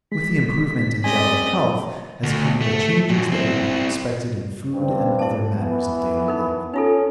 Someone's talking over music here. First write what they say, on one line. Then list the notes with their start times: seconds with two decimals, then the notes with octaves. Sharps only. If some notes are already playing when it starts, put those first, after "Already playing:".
With the improvement in general health, has come the changes that would be expected in food and other matters of daily life.
0.12 G#3 B6
1.04 C4 C#4 G#4 D5 D#5 G#5
2.23 D2
2.61 A3
3.10 F#2 A#2
3.32 C4 E4
4.73 G2 C4
5.19 E4 A5
5.57 E3 B3
6.28 D#4 A#4
6.74 C#4 D#4 F4 A4